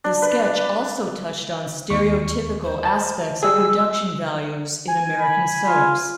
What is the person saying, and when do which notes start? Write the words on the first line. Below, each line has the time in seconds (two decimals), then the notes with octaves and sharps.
The sketch also touched on stereotypical aspects of production values in American soaps.
0.04 D4
0.22 B4
1.90 D#2 C#6
2.64 C5
2.86 A5
3.43 G3 G#4 E6
4.88 G#5
5.20 B5
5.66 F4